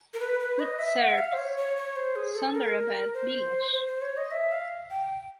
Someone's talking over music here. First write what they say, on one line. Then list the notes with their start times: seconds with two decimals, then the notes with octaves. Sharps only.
It serves Sunderabad village.
0.14 A#4
0.20 B4
0.40 B4
0.59 D#5
0.79 E5
0.99 F#5
1.10 E5
1.18 F5
1.33 C5
1.38 C#5
1.57 C#5
1.77 C#5
1.96 C5
2.16 G#4
2.35 A4
2.55 A#4
3.14 C5
3.73 C5
3.87 C5
4.02 C#5
4.17 D#5
4.31 E5
4.52 F5
4.90 G5